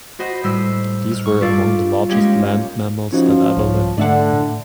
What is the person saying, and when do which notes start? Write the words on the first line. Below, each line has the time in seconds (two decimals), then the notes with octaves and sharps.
These were amoung the largest land mammals that ever lived.
0.19 F#4 C5 D#5 B5
0.43 A2 G3 C5 E6
1.12 F6
1.26 C#6
1.41 G3 F4 A4 D5
2.09 G#3 A#3 C#4 D#4 G4 C#5
3.12 F3 C#4 D#4 F#4
3.57 C2 G#2 C#5
3.98 G#2 D3 A3 D4 D5 E5 F#5
4.33 A2